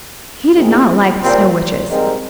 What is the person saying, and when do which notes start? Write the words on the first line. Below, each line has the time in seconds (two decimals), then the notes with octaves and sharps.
He did not like the Snow Witches.
0.54 G#2 D#3 G#3
1.22 A#2 G3 C4
1.90 G#2 G3 C4 D#4 A#4